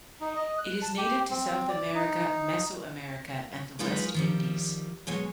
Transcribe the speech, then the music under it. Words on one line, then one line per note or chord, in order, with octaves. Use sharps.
It is native to South America, Mesoamerica, and the West Indies.
D#4
D#5
F#6
A5
G4
C4
C4
D5
D#4
F#3 G#3 D#4 F4 B4
D#3 F3 G3
B2 F#3 G#3 C#5